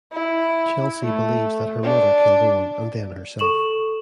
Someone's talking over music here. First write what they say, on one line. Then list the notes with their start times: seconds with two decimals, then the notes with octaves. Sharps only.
Chelsea believes that her mother killed Owen and then herself.
0.12 E4
1.03 A3
1.83 D4
3.39 A4 C#6 E7 F#7